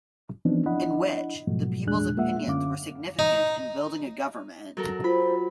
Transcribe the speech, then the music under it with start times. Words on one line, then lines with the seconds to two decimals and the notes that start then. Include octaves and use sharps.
In which, the people's opinions were significant in building a government.
0.45 E3 F3 B3 C4 D4 D#4
0.66 D4 E4 D#5 F#5 B5
1.47 G#2 B2 F3 F#3 A3
1.87 E2 A#2 G#3 D4 G#4 F#6
2.17 G#3 A#3 F4 E5 F#5
2.47 F#2 D3 C#4 F5 D6
3.19 D#4
4.77 F#3 A4 A#4
5.04 F4 C5 B5